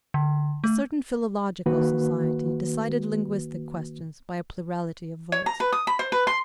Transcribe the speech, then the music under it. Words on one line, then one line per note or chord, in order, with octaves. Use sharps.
A certain philological society decided linguistic questions by a plurality of votes.
D3
A3
D#3 A#3 F#4 B4
C#5
A#5
B4
D#6
B5
C5
B4
C6